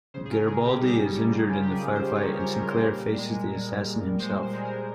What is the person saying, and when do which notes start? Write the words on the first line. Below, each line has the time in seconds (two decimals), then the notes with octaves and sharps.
Garibaldi is injured in the firefight and Sinclair faces the assassin himself.
0.14 C#3 C5
0.25 G#4
0.31 A#4
0.48 C#3 G#4
0.65 G4
0.81 G3 D#4
0.98 C#4
1.15 G3 C#4
1.33 F4
1.49 G3 G4
1.63 G4
1.72 G#4
1.82 C#3
1.95 C5
2.17 C#3 C#5
2.40 A#4
2.50 G3
2.62 A#4
2.71 C5
2.81 A#2 A#4
3.18 G#3
3.52 G#3
3.87 A#2
4.20 G#3 C5
4.43 C5
4.53 G#3 G#4
4.65 A#4